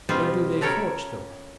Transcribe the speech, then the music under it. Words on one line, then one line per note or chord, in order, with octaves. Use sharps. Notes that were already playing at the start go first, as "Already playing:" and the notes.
Where do they forge them?
B2 G3 C4 F4 C5
C#3 A4 A#4 C#5 G5